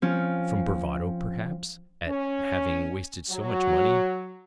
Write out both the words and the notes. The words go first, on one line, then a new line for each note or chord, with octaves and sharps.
From bravado perhaps ... at having wasted so much money....
F3 C4 C#4
C#4
F#3